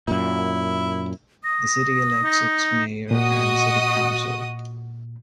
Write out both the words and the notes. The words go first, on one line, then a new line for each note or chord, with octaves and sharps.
The city elects its mayor and city council.
F#2 A#2 E4
D#6 A#6
D#4
A#2 F#4 D#5 D#6